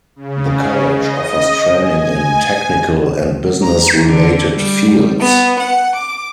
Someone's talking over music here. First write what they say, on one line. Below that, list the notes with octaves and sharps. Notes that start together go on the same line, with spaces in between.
The college offers training in technical and business-related fields.
C#3
D#5
G#5
A#5
D3
G3
B3
F#5
D6